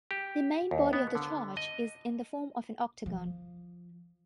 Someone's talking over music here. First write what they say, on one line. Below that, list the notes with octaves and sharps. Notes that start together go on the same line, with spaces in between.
The main body of the church is in the form of an octagon.
G4
D#2
B3
D3
D#5
F3